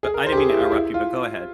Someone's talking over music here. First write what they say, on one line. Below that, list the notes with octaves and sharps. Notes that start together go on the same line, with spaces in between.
but I didn't mean to interrupt you but go ahead.
G#4
A#4
C5
G4
G#4
E4
F4
E4
F4